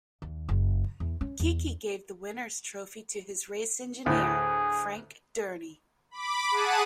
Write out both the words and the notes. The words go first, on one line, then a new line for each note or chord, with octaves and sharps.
Keke gave the winners trophy to his race engineer, Frank Dernie.
D#2
F#1
E2
C#4
E2
D2 A2 G#4
B5 D6
G#4 F#5 A5 D#7